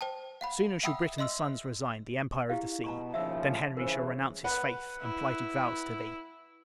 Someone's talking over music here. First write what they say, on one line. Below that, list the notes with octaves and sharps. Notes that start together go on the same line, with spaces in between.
Sooner shall Britain's sons resign The empire of the sea; Than Henry shall renounce his faith, AND PLIGHTED VOWS, TO THEE!
C5 G5 A5
F5 F#5 B5
E5 F#5 G5 B5 D#6 E6
D#5 E5 C6 E6 F6
E4 G4 F5
B2 A5 A#5 C#6
D#2 C#3 F3 E5 E6
C#3 E3 A#4 C5
B4 F#5
E4